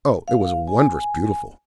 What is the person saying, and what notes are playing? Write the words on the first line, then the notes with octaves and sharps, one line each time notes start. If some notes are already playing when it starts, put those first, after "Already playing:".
Oh, it was wondrous beautiful!
F5
G#5